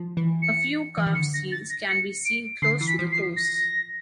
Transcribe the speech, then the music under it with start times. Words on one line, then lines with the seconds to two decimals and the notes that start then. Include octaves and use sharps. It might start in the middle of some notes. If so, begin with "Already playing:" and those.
A few calf seals can be seen close to the coasts.
Already playing: F3
0.17 E3
0.42 C#7
0.98 E3
1.07 D#3
1.14 D3 C#7
1.34 A#6
1.52 A6
1.70 A#6
1.89 C#7
2.25 D7
2.62 D3 C7
2.81 E3
2.87 B6
2.99 F3
3.12 C7
3.18 F3
3.36 A#6